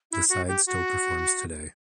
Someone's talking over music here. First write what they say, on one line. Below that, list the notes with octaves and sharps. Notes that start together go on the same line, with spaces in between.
The side still performs today.
E4
F#4
G4
F#4